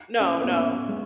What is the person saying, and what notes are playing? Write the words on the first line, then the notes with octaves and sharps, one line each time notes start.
No, no.
C#4
B3
C#4
G#3